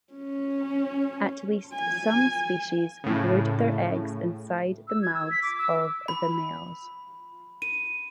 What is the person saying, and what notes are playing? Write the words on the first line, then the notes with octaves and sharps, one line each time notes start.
At least some species brood their eggs inside the mouths of the males.
C#4
G#5
A2 C#3
E6
G#6
E6
B6
D6
E6
B5
D#7